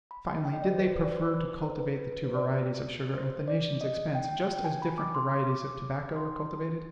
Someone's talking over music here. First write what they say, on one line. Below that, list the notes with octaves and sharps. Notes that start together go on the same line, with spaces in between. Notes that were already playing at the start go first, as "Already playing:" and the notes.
Finally, did they prefer to cultivate the two varieties of sugar at the nation's expense, just as different varieties of tobacco are cultivated?
B5
G5
D#5
D5
C5
B4
C5
B4
D5
C5
B4
C5
B4
B4
C5
D5
C5
D5
D#5
G5
G5
G#5
B5
D6
C6
D6
C6